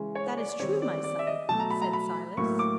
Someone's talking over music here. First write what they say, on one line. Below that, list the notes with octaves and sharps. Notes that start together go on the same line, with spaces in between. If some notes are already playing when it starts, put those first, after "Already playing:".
"That is true, my son," said Silas.
Already playing: C#3 E3 G#3 C#4
C#5
C#5
D5
D5
D#3 G3 C4 C#5
D5
D5
E5
D#5
B2 F#3 A3 A5
A#5
B5
A#5
B5
A2 F#3 A#3 C#6
D6